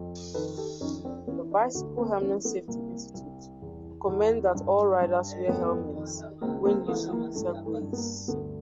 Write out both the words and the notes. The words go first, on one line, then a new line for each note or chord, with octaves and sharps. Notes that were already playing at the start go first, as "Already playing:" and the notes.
The Bicycle Helmet Safety Institute recommends that all riders wear helmets when using Segways.
Already playing: F2
D#3 A4 B4
G4 A4
F2 C#4 D#4
C4 D4
E3 B3 C#4
D4 E4
D2 E4 F#4
A#3 C4
E3 B3 C#4
A3 B3
C2 A#3
C2
E2
E2
G2
G2
F2 A3 B3
D#3
C#2 A#3 C4
A#3 C4
E3 A3 B3
A#3
G2 A3
A3
G2
B3
A#3
D2 A3 B3